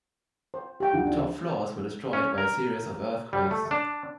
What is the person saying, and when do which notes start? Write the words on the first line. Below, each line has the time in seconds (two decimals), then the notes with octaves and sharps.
The top floors were destroyed by a series of earthquakes.
0.54 C5
0.80 G4 G5
0.93 D2 F3 F#5
1.05 D4 D#4
2.13 C#4
2.38 A#4
3.33 G3
3.51 A3
3.71 D4